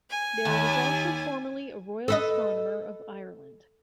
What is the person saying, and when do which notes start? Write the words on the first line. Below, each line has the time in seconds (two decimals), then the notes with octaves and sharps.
There was also formerly a Royal Astronomer of Ireland.
0.11 G#5
0.45 D#2
2.08 A4 B4 D#5